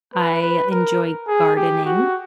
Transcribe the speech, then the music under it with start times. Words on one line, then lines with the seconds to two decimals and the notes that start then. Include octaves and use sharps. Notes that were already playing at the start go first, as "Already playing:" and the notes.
I enjoy gardening,
0.14 B4
0.42 B4
0.71 A#4
1.28 G#4
1.57 G4
1.85 F#4